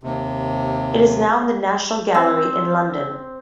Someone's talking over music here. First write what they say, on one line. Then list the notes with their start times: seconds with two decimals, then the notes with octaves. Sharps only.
It is now in the National Gallery in London.
0.03 D#2 C3
2.15 C4